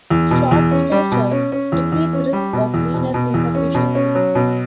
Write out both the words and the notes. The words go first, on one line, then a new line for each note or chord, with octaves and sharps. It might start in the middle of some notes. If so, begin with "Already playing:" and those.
Short stature decrease risk of venous insufficiency.
E2
B2
E2
C#4
G3
B2
C#4
C#4
E2
E2
C#4
G3
B2
E2
B2
B2
E2
C#4
B2
C#4
F#3
B2